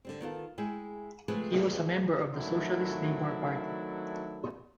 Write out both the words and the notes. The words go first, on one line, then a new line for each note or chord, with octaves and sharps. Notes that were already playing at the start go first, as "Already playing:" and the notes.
He was a member of the Socialist Labour Party.
D3 G3 C4
D#3 B3 F4 A4
G#3 E4 G#4 G5 G#5
C3 F3 G#3 A3 G#4 B4
D#3 F#3 A3 C4 D4 E4